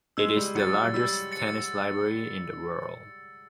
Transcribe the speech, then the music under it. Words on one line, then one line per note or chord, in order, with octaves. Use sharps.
It is the largest tennis library in the world.
G#3 E6
G3
F#3 A6 C#7
F#3
G3 E6
A6 C#7